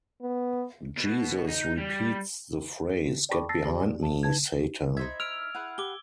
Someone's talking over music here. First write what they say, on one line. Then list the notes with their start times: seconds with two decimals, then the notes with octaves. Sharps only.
Jesus repeats the phrase Get behind me, Satan!
0.22 B3
0.97 B2
1.48 D#4
1.78 G3
3.29 D5 G5 A5 B5 C#6 D6
3.49 A5 E6 A6 A#6 C7
3.66 G4 D5
4.03 A5
4.23 D#4 B4 A5 G#6
4.97 D#4 E4 C5 D#5 E5 G#6
5.20 C5 E6 F6 D7
5.54 E4 G#4 B4 F#5
5.78 G4 D6 G7